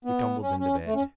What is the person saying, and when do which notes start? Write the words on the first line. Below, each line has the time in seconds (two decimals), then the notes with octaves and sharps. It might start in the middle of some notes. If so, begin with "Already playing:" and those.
We tumbled into bed.
0.05 B3
0.42 C#4
0.59 C#4
0.86 A3
0.95 C#4